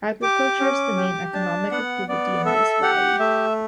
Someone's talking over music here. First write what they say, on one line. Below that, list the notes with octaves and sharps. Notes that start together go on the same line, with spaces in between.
Agriculture is the main economic activity in this valley.
G4 D6
C#4
G4
D4 A5
B3 F#5
B3 D5
A4 E5
G4 F#5
A3 E5